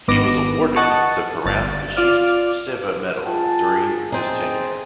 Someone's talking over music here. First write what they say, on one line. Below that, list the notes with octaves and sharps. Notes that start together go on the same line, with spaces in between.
He was awarded the Param Vishisht Seva Medal during this tenure.
G#1 D#3 B3 D6 A#6
D#5 F#5 A5 C#6
G1 D3 A6
F4 D5 F6
G#3 F4 G#4 A#4 F#5 G5 A5
C4 D#4 G#4 E5 A#5 G6 A6